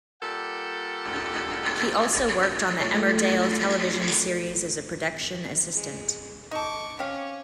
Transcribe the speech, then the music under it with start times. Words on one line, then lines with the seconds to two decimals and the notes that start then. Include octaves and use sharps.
He also worked on the "Emmerdale" television series as a production assistant.
0.21 A#2 G3 A4 F#5 G5
2.80 A3 F4 C#5
5.73 G#3
6.51 D#4 A4 C#6 D6
6.99 C4 C#4 G4 C#5 F5